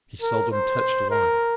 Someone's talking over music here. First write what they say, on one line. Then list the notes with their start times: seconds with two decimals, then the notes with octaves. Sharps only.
He seldom touched wine.
0.22 A#4
0.52 C5
1.10 A#4